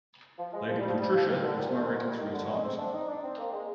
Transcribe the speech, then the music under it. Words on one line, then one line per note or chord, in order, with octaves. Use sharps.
Lady Patricia was married three times.
F3
G#3
F3
G3
F3
G3
F3
D#3
D3
A#2
C3
D3
D#3
F3
G3
D#3
D3
G#3
C4
D4
D#4
D4
C4
A#3
G#3